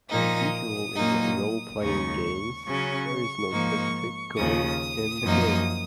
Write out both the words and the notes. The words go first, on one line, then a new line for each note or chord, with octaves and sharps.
As usual in role-playing games, there is no specific goal in the game.
A#2 F3 A#3 D#4 D#6
A#2 F#3 A#3 D#4
D#2 C#3 G#3 D#4 C#6
C#3 F#3 C#4 C#6
G#2 F3 A#3 D#4
D#2 C#3 F3 D#6
F#2 F3 A#3 D#4